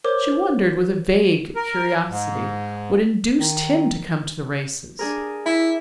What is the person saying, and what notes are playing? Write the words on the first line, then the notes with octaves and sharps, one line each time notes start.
She wondered with a vague curiosity what induced him to come to the races.
A#4 C5 C#5 D6
A#4
G#2
D#3
D4 G#4 A#4
E4 E5